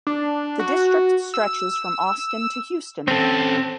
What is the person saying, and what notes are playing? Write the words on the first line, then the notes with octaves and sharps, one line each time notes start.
The district stretches from Austin to Houston.
D4
F#4
E6
C4 C#4 A4